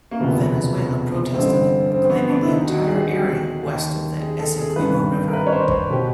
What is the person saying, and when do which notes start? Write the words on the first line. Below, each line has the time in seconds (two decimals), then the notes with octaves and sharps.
Venezuela protested, claiming the entire area west of the Essequibo River.
0.11 A#3
0.20 E1 D2 C3 F3 B3
1.34 A1 G2 D3 C4
1.91 C4
2.05 C4
2.10 B3
2.29 D4
2.43 E4
2.48 D#2 D#3 D#4
2.68 F#4
2.87 G#4
2.96 G4
3.06 F#4
3.16 G4
3.63 D#2 D#3
4.20 G#4
4.39 A4
4.58 G#4
4.76 G#1 G2 D#3 B4
5.28 A#4
5.33 B4
5.47 C#5
5.52 C5
5.71 C5
5.90 B2 G4